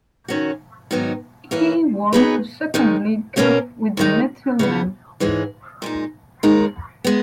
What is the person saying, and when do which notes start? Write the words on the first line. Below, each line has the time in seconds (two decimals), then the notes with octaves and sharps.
He won a second league cup with the Methil men.
0.28 D#3 F#3 C#4 F#4
0.91 G#2 D#3 F#3 B3 D#4
1.51 E3 A#3 C#4 E4
2.13 F#3 B3 D#4 G#4 B4
2.74 D#2 D#3 G#3 D#4
3.36 B2 A#3 C#4 F#4 A#4
3.97 D#2 D#3 G#3 D#4
4.59 C#3 E3 B3
5.20 G#2 E3 G#3 C#4 G#4
5.82 A#2 G#3 D#4
6.43 D#2 D#3 G#3 D#4 A#4
7.04 G#3 B3